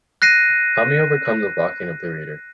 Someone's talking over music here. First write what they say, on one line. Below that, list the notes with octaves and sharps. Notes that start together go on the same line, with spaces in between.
Help me overcome the blocking of the reader.
F#6 A#6 C7 D#7